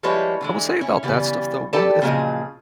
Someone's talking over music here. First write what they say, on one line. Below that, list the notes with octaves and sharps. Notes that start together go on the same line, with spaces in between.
I will say about that stuff though, one of the it's
F3 G3 G#3 E4 B4 C#5
D3 E3 G#3
C#4 E4
C#3 E3 G3 B3
G4 A4 B4 D5 G5 A5
A#2 C#3 F3 F#3 G#4 D#5